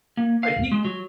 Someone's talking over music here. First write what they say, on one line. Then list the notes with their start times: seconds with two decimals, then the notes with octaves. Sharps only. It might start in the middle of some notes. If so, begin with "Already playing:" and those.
But he
0.17 A#3
0.43 F5
0.72 G#3
0.85 F#3